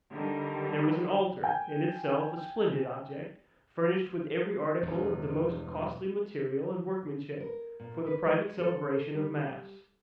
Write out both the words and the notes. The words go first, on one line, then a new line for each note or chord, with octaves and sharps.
There was an altar, in itself a splendid object, furnished with every article of the most costly material and workmanship, for the private celebration of mass.
D3 D#3 G3
G5 G#5
E1 E2 G2
A#4
A#2
B4
G#3
A4
G3